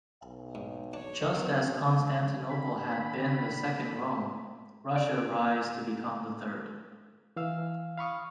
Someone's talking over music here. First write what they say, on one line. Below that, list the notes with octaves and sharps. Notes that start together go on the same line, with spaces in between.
Just as Constantinople had been the Second Rome, Russia rise to become the Third.
B1
G#2
D4 C#5
B3 A#4 C5
D#3 D4 B5
D5
E3 F5 E6
F5 B5 C#6 D#6